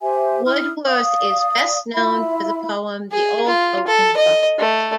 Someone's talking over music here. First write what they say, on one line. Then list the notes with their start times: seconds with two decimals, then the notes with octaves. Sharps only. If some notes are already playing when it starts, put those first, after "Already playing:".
Woodworth is best known for the poem "The Old Oaken Bucket".
0.01 G4 C5 E5 G#5
0.45 E4 D#6 F6
0.86 D5 F5 D#6
1.94 E4 F4 E5 B5
3.12 G#4
3.47 F4
3.87 A4
4.17 D#5
4.59 A3